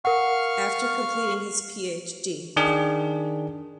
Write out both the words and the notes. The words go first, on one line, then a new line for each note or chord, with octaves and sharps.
After completing his PhD.
A#4 F5 F#5 C#6 F6
D#3 D4 G#4